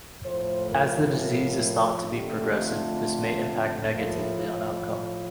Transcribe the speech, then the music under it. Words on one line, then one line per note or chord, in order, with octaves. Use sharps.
As the disease is thought to be progressive, this may impact negatively on outcome.
A2 F3 A3 C5
A#4
A#4
F2 D3 A3 G4
F4
A2 F3 A3 A#3